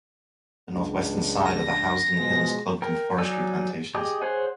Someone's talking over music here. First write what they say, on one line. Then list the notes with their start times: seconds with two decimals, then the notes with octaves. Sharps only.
The northwestern side of the Housedon Hill is cloaked in forestry plantations.
0.73 C#2 D4
1.45 A#6
2.17 B2 F3 G#3
2.82 A#4 G5
3.18 F#3 D#4 D5 G#5 E6
3.94 G4 G#4 D#5 G5
4.22 G#4 C5 C#5 F#5 G#5